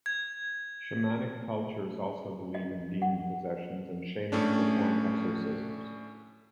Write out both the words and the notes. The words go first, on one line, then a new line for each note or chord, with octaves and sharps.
Shamanic cultures also believe in demon possession and shamans perform exorcisms.
G#6
D#5
F#5
A2 A3 C#4 D4